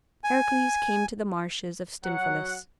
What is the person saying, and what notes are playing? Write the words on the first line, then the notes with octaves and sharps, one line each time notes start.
Heracles came to the marshes of Stymphalus.
G#5
F#3 F#5